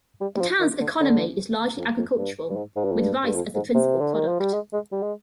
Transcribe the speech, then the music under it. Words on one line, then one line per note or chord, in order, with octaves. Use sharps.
The town's economy is largely agricultural, with rice as the principal product.
G3
G3
F3
D#3
D3
D3
F2
F2
G2
G2
G#2
G#2
G2
F2
G2
G2
F2
G#2
C3
D3
D#3
F3
G3
G#3
G#3
G3
G#3